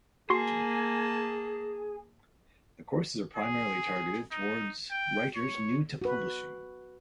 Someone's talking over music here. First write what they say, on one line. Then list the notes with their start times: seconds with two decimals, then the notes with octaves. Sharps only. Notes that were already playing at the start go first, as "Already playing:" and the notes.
The courses are primarily targeted toward writers new to publishing.
0.30 A#3 F#4 G#4 A5 C6 C7
3.36 G#4
4.32 D#4
4.91 G5
5.36 C#5
6.02 F#4 B4